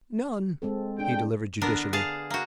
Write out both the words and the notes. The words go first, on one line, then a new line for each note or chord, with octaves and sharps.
"None," he delivered judicially.
G#3 C4 A4
D4 G#4 G5
D3 B3 D4 A#4
G#4 F5 A5
A#3 F#4